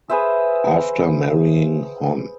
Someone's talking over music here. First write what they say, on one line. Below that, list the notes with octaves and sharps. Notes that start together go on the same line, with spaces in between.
After marrying Hon.
G#4 B4 C5 E5